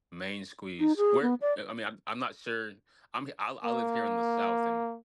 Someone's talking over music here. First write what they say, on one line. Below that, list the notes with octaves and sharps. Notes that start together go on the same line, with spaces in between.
Main squeeze, where I mean, I'm I'm not sure, I'm I I live here in the south and,
D#4
G#4
B3
D5
A#3